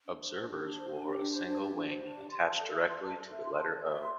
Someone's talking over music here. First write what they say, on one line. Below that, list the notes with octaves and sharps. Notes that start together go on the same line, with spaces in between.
Observers wore a single wing attached directly to the letter "O".
D4
C5
D4
G4
D4
C5
D4
G4
D4
C5
D4
G4
D4
C5
D4
G4
C6
A5
A4
E5
C6
A5
A4
E5
C6
A5
A4
E5
C6